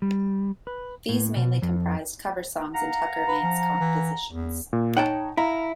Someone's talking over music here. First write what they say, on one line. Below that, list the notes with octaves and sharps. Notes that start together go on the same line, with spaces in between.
These mainly comprised cover songs and Tucker-Mantz compositions.
G3
B4
A2
B2
F2
F5 F#5 A#5
B4
F3
E3
E2
A#2
D#4 C#5 F#5 G5 A5
E4 F5 A#5